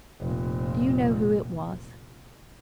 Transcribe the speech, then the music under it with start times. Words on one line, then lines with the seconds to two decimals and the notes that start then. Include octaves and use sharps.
"Do you know who it was?"
0.20 F1 A#2